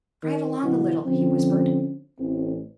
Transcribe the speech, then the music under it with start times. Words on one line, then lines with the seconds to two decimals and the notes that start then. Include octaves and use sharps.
"Drive along a little," he whispered.
0.23 D#3
0.63 B2 D3 F#3 E4
1.06 D3 F3 C4 C#4
2.19 A1 C4